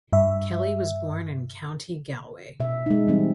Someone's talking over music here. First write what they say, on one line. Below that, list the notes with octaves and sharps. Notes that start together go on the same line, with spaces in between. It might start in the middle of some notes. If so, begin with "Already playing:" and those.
Kelly was born in County Galway.
G2 E5
B2 E5
G#3 D#4
E3 G3 C4